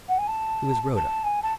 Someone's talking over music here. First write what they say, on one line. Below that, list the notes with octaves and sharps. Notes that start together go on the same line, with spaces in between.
"Who is Rhoda?"
F#5
G#5
A5
A5
G#5
A5